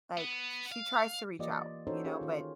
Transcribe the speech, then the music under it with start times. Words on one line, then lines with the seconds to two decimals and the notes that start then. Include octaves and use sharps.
like, sh sh she tries to reach out, you know, but
0.17 B3
0.72 F5
1.39 E3 A#3 F4 G4 D5 D#5
1.87 C#4 D#4 F#4 A4 C5 C#5
2.05 C#4 F4 G4 G#4 A#4 C#5
2.21 D#3 F4